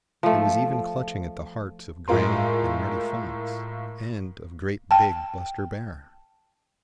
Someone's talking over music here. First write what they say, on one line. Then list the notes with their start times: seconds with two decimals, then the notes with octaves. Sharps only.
It was even clutching at the hearts of Granny and Reddy Fox and of great, big Buster Bear.
0.23 F3 A3
2.08 A2 G#3 F4 A#4 C6
4.91 G5 A5